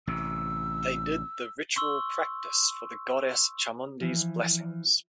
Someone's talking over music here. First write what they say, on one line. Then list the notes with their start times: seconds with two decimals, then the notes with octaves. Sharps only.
They did the Ritual practice for the Goddess Chamundi's blessings.
0.07 A1 C3 E6
1.76 C6 C#6 E6
4.01 E3 F3